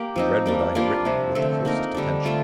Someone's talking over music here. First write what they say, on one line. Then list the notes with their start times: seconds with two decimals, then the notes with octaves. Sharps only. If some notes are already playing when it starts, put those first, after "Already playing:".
He read what I had written with the closest attention.
Already playing: A#3 G4
0.16 F3 C4 D#4
0.46 G3 A#3 D4
0.75 G3 A#3 D4 F4
1.05 C3 F3 C4
1.35 D3 A3 C4
1.65 A#3 D#4 A#4
1.95 D3 G3 D4
2.25 D3 A3 D4 F4